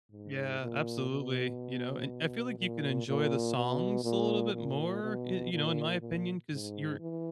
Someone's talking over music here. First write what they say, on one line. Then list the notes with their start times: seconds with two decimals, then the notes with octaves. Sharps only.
Yeah. Absolutely, you know? And I feel like you can enjoy the songs a little bit more, y you know, in my opinion, 'cause you're
0.11 G#2
0.61 A#2
1.10 B2
2.58 A#2
3.07 A#2
3.56 B2
4.04 A#2
4.54 A#2
5.03 B2
5.53 A#2
6.01 A#2
6.51 G#2
7.00 E3